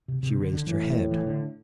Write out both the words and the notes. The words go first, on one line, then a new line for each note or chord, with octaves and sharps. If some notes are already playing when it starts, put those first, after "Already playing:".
She raised her head.
C3
C3
D3
D3
A2 E3
E3
D3